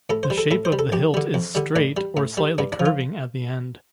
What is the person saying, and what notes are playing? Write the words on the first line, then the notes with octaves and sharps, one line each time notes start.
The shape of the hilt is straight or slightly curving at the end.
A2 A4
C5
G3
A4
A2 A4
C5
G3
A4
F2 G4
D3 G3
F2
D3 G3
A2 D4
G3
A2
G3
G2 D4
D4
F3
F4